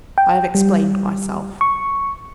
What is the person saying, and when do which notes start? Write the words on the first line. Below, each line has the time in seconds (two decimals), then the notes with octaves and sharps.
I have explained myself.
0.18 G5
0.55 G3
1.61 C#6